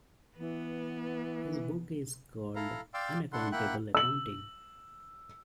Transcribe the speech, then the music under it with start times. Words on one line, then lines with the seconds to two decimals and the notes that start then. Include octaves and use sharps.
His book is called "Unaccountable Accounting".
0.37 E3 B3
2.55 E4 A4 F5 A#5
2.94 D5 F5 G5 C6 D6 E6
3.33 D4 E4 A4 F#5 C6
3.52 A#3 E4 E5 F#5 G5 F#6
3.95 E6 F#7